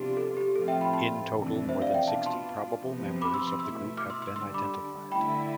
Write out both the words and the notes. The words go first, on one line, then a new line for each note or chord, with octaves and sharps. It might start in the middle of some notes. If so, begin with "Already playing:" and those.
In total more than sixty probable members of the group have been identified.
Already playing: C3 F3 B3 D4 F4 G4
A4
G4
A2 F3 C4 F4 A4
E5 G5
G5 B5
A5 C6
F2 C3 E3 A3 D4
C5 E5
D5 F5
E5 G5
B2 B3 D4 F4 F5 A5
A5 C6
C3 F3 B3
B5 D6
C6 E6
C6 E6
B2 A3 E4 C6 E6
D6 F6
C6 E6
C6 E6
D3 G3 D4 C6 E6
B5 D6
D3 A3 E4 G5 B5